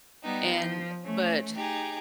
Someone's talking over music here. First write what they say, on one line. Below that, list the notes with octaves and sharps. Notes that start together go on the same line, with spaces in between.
and but
G3 B3 D#4 G4
F3
A3 C#4
D#4 G4 G#4